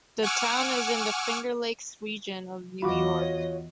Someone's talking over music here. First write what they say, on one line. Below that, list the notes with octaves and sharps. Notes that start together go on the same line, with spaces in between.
The town is in the Finger Lakes region of New York.
F#5 G#5 C#6 D6 E6 F6
E2 F4 F#4 D#5 B5 C#6 D6
C#5